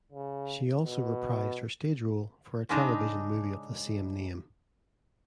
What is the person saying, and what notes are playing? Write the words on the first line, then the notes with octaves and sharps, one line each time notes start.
She also reprised her stage role for a television movie of the same name.
C#3
B2
G#2 C#3 G#3 D4 D#4